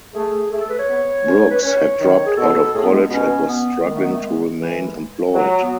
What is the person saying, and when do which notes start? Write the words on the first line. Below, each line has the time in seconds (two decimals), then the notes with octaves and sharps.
Brooks had dropped out of college and was struggling to remain employed.
0.14 A3 G#4
0.51 A3 G#4
0.61 A4
0.70 B4
0.79 C#5
0.88 B3
1.25 C#4
1.50 B4
1.62 C#4 C#5
1.99 D#3
2.26 G#4
2.37 B2 A4
2.74 A2 G#4
2.83 B3
2.92 G#3
3.11 B2 C#4
3.48 B3
3.85 D#3 G#3
3.95 A3
4.03 B3
4.13 A3
4.22 G#3
4.60 E3
5.34 F#3
5.62 B3